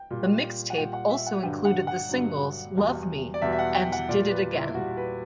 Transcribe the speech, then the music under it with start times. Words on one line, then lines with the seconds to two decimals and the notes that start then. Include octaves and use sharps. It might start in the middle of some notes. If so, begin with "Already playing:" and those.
The mixtape also included the singles "Love Me" and "Did It Again".
Already playing: G5
0.11 A#2 G3
0.70 F#5
0.78 A#2 G3 G5
0.93 F#5
1.10 E5
1.27 F#5
1.43 G2 D3 F#3 G5
1.65 F#5
1.87 F#5
2.09 G2 D3 F#3
2.76 E2 B2 G3
3.34 D5
3.42 E2 B2 G3 E5
3.52 E5
3.59 F#5
3.75 G5
3.92 F#5
4.09 A#2 G3 D5
4.30 B4
4.53 E4
4.75 A#2 G3 F#4
4.97 B4